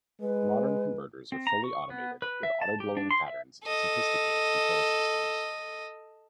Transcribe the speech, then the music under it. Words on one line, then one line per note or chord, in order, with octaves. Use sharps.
Modern converters are fully automated with auto blowing patterns and sophisticated control systems.
G#3 B4
C4
A#5
C#6
B3
B4
E5
A5
G4
D4
C6
E5
A4 D#5